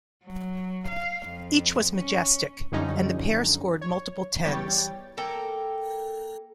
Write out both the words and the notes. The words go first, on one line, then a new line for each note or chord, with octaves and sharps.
Each was majestic, and the pair scored multiple tens.
F#3
F5
F2
C#4
F#2 D3 F3 G3 C#4 D#4
C#5
E2 G3 C#5 G5 A6
A#3 A4 A#4 G5